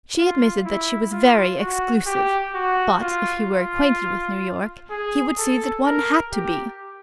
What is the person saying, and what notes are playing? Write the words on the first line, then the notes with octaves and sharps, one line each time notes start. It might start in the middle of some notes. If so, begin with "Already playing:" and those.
She admitted that she was very exclusive; but, if he were acquainted with New York, he would see that one had to be.
F4
E4
F4
F#4
G4
F#4
F4
F4
G#4
A4
A#4
G4